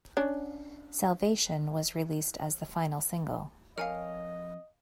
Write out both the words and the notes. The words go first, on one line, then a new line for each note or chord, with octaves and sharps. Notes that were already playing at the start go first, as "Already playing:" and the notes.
"Salvation" was released as the final single.
C#4 D4
F2 A#4 C#5 D#5 F5 G#5 F6